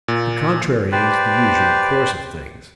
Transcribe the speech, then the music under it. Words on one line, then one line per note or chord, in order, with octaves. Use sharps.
The contrary is the usual course of things.
A#2
G4 B4 C5 D5